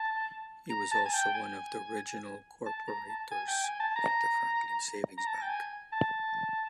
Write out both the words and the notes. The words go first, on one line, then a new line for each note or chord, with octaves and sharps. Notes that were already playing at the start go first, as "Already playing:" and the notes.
He was also one of the original corporators of the Franklin Savings Bank.
Already playing: A5
A#5
A5
G#5
G5
G#5
A5
A#5
A5
G#5
G5
G#5
A5
A#5
A#5
A5
G5
G#5
A5